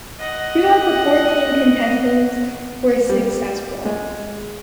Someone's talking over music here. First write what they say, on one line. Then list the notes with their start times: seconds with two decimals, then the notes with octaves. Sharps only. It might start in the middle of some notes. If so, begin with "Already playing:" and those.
Two of fourteen contestants were successful.
0.20 D#5 F#5
3.09 G3
3.85 G#3